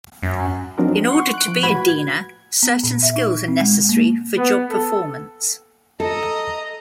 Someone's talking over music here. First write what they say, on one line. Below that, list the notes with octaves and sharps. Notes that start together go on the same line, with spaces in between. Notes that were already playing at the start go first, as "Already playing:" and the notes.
In order to be a diener, certain skills are necessary for job performance.
F#2
F3 F#3 C4 D4 D#4 A#4
F#5 C6 C#6
F#6 D7
F3
A2 F#4 B4 B5 G#6
G#6
B3
A#2
E5
D#4
C4
G#3
A#3
B3
A4
A4 D#5 A#5